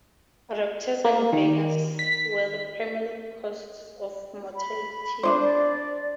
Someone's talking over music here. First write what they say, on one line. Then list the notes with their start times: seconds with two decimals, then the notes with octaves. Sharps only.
Raptors and badgers were the primary causes of mortality.
1.05 A#3
1.33 D#3
1.99 B6
4.56 B5
5.23 D4 D#4 C5
5.41 D5